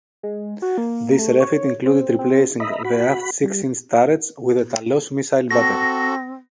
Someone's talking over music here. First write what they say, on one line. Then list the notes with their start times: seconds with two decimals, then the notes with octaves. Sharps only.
This refit included replacing the aft six-inch turrets with a Talos missile battery.
0.23 G#3
0.62 F#4
0.78 A#3
1.19 A3
1.40 C#5
1.86 C4
2.19 C4
2.60 D#5 E5 A#5 B5
2.85 F#4 B5
3.44 G3
5.51 C4 F#4 A4 A#6